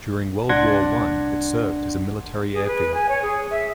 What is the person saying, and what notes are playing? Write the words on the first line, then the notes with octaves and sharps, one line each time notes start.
During World War One, it served as a military airfield.
C2 D4 F#5 C6 G#6 A#6
G#4
B4
G#5
C#5
G#4
E5